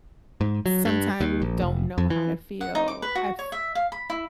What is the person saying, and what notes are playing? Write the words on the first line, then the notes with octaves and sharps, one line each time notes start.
sometime don't know how to feel. I've
G#2
F#3
G2
D#2
A#1
F1
F2
E3
F#5
D#4
D6
B4
F#4
C#5
E5
F5
B5
E4